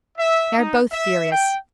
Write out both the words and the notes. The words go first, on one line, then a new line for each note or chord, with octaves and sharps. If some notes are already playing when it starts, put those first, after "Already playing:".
They are both furious.
E5
D#4
E5
G5